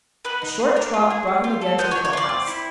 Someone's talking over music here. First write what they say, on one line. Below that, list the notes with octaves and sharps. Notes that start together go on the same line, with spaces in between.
A short trot brought him again to the toll-house.
B3 B4
D#4
G#4
D4 A#4
F4
G#4
C4
F4
A4
B3 C5
C#5
D4
C#5
F4 D5
C4
E4